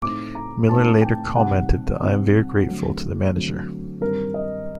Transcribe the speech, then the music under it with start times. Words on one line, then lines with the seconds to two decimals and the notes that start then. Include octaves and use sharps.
Miller later commented that I am very grateful to the manager.
0.02 A2 A3 C4 D#4 D6
0.35 A#5
0.68 A2 A3 C4 D#4 A5
1.02 G5
1.35 C3 G3 C4 D#4 F#5
2.02 C3 G3 C4 D#4
2.68 D3 F#3 A3 C4
3.35 D3 F#3 A3 C4
4.01 G2 D#3 G3 C4 A#4
4.34 D#5